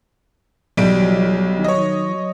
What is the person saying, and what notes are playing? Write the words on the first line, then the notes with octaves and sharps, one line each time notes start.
Mhm. Mhm.
B1 F#3 G3 D7
C#5 D#5